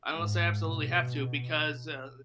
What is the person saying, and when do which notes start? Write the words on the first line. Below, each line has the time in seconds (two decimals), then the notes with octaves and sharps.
unless I absolutely have to, because, uh
0.15 G#2
0.62 B2